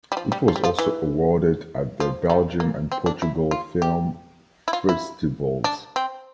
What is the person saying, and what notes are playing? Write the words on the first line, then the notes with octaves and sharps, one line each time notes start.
It was also awarded at the Belgium and Portugal film festivals.
G3
F3
G3
F3
G3
F3
E3
F3
G3
A#3
C4
D4
E4
F4
G4
E4
F4
E4
D4
C4